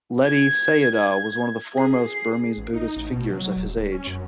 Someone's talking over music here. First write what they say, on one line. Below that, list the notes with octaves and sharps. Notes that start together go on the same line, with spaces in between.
Ledi Sayadaw was one of the foremost Burmese Buddhist figures of his age.
G#6
G#4 C7
A1
D#4
A1
B2
F#3
E1
D1
C#4
F#2